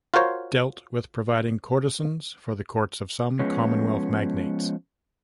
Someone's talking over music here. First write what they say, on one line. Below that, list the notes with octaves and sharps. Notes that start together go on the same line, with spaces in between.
Dealt with providing courtesans for the courts of some Commonwealth magnates.
F4 F#4 A#4 C5 C#5 F5
F3 G#3 B3 C#4